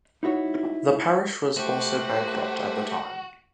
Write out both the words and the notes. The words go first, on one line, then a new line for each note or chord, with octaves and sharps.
The parish was also bankrupt at the time.
D#4 E4 F#4 C#5
A3 F#4 G4 C5